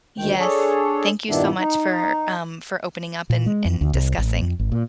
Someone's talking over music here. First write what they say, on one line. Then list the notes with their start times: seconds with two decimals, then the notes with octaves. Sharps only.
Yes. Thank you so much for, um for opening up and and discussing.
0.18 D2 D#3 G5
0.39 D4 G#4 A4 C#5
1.30 G2 A#2 D#3 B3 D4 E4
1.59 D#4
3.30 A#2
3.46 G#3
3.65 F2
3.81 D2
3.94 C2
4.18 A1
4.41 F2
4.59 G#1
4.72 A#2